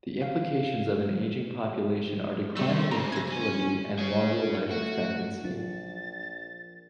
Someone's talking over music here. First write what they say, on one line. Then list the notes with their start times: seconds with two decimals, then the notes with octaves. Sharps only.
The implications of an aging population are declining in fertility and longer life expectancy.
0.22 F5
2.57 C3 G3 A3 C4 E6
2.75 F3
2.91 C#3 C4 A#5
3.12 G#6 A#6
3.31 C#4 G#5
3.99 G#4 C#5
4.71 A3 F#4
5.44 A#1 F3 F#3 A6